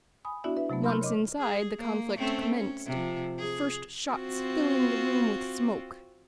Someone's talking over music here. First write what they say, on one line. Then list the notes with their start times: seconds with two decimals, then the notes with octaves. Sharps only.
Once inside, the conflict commenced, the first shots filling the room with smoke.
0.25 G#5 B5 D#6
0.44 B3 D4 E4 F#4 D5 E5
0.57 B4 E5
0.69 C3 F#3 A3 B3
0.84 A#4 B5 C6 E6 F6 G6
1.01 C#5 D#5 D6
1.38 G#4
1.79 A#3
2.17 A3 C4 C#4
2.54 C#4
2.86 C3 F3
3.39 G#4
4.08 C4 F4 F#4